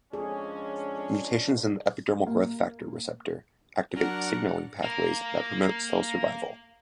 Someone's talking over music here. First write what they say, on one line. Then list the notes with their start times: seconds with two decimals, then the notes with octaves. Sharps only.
Mutations in the epidermal growth factor receptor activate signalling pathways that promote cell survival.
0.13 F2 G#3 C#4 D4 G#4
2.27 A#3
3.96 F#3 D4 A#4 D5 F#5
4.82 A#3 A#4